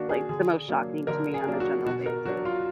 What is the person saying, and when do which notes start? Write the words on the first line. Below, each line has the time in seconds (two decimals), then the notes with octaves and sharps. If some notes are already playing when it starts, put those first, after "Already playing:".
like, the most shocking to me on a general basis.
Already playing: D#3 A#3 D4 F#4
0.09 G#4
0.29 D3 G#4
0.68 F#3 A#3 D4
1.07 D3 A#4
1.34 G#4
1.47 F#3 A#3 D4
1.60 F#4
1.86 B2 F#4
2.06 A#4
2.25 F#3 D4 F#4
2.45 F4